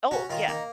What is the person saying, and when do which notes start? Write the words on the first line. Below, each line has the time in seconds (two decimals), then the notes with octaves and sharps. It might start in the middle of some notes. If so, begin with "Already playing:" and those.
Oh, yeah.
0.11 C#4 F#4
0.30 D#3 F4
0.48 A#3 D#4